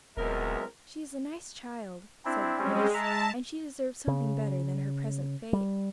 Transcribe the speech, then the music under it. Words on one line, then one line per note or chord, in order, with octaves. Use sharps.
"She is a nice child," said Grace, "and she deserves something better than her present fate."
D#1 C#2 F#3 G#3 B3 C4 A#4 E5
C4 D4 E4
G3 G#3 C4 C#4
E5 A5 A#5
C#3
G3